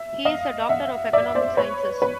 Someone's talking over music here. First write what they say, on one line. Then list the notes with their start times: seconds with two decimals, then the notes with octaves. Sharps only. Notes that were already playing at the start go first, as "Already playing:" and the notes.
He is a doctor of economic sciences.
Already playing: E5
0.25 D#5 F5
0.69 E5 F#5
1.13 D5 E5
1.35 C5 D5
1.57 B4 C#5
2.02 B4 C#5